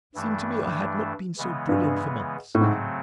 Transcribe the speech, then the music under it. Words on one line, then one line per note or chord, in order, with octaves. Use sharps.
It seemed to me I had not been so brilliant for months.
G2 E3 A3 D4
C#3 E3 G#3 B3
G2
A2
G#2 C#3 F#3 A3 C4